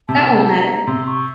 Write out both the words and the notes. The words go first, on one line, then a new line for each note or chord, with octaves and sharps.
That won't matter.
C3 A5
A#5
C3 C6
C#6